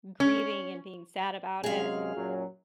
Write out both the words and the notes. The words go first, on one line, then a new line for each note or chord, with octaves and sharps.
grieving and being sad about it,
C#4
F#2 C3 G#3 G#4 F5
F#2 A#2 F#3